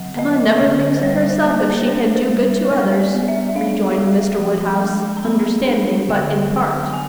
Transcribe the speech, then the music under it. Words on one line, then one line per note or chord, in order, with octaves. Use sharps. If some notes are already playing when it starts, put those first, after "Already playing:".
"Emma never thinks of herself, if she can do good to others," rejoined Mr. Woodhouse, understanding but in part.
Already playing: D3 F#3 F#5
B3 D#5
D3
C5
G3 C#5
C5
A#3
C5
C#5
D4 C5
C5
G3
C5
G3 C#5
D5
B3
E5
D4 F5
G3
F3
G#3
A#5
B3 B5
D4
D3 G5
F#3
G#5